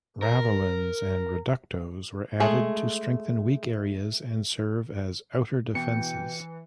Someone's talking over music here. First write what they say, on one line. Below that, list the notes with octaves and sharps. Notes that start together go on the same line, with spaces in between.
Ravelins and "reductos" were added to strengthen weak areas and serve as outer defenses.
A#4
G#3 A3 G#4
B2 E3 G5 C#7